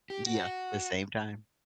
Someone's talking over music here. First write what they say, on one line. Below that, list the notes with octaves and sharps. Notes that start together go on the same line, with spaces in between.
Yeah. The same time.
G4
F#4